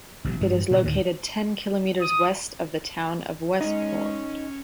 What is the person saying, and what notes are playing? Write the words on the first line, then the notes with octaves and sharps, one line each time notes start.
It is located ten kilometres west of the town of Westport.
A1 B2 E3 F#3
A1 G2 F3 G#3
A#2 C#3 A#3
D2 A2 D#3
D#6
G#3 C#4 D#4